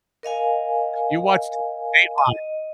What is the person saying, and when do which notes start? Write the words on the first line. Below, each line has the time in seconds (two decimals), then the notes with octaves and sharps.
you watched Dateline.
0.23 A#4 D#5 F5 G#5
2.18 D#5